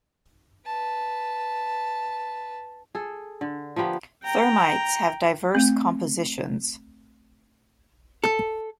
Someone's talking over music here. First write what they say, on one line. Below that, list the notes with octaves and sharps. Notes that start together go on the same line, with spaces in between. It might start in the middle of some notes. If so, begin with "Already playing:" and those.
Thermites have diverse compositions.
B4 A5
G#4 A4
D3
F3 A#3 B3 G4
G5 A#5
A3 C4
A4